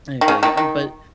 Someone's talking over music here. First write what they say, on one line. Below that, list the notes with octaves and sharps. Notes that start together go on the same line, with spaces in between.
I feel you, and but,
D#3
C#3
D#3
D#3